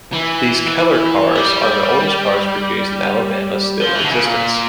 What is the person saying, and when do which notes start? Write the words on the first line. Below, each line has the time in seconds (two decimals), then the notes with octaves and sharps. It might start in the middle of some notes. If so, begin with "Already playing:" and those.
These Keller cars are the oldest cars produced in Alabama still in existence.
0.12 E3
1.35 G3
3.81 F3
3.96 E3
4.04 D3
4.11 C#3
4.26 A#2